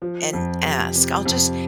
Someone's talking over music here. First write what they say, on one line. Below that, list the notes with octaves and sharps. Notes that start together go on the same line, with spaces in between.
and ask, I'll just
F3
F2
C3
C3
F2